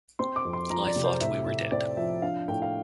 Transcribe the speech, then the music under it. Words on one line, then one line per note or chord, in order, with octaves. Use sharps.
I thought we were dead.
C4 C6
D6
F2
C6
F3 A#5
D5
C3
C5
A2 E5
A2 E5
C4 D5
F3 E5
D4 F5
A2 G5
F5